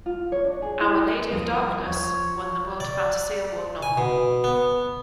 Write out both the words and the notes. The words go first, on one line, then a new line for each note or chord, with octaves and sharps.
"Our Lady of Darkness" won the World Fantasy Award-Novel.
F4
C#5
D4
G#4
E4
D#2 F3 G3 D#6
F3 C#5
D5
G#5
B2
B3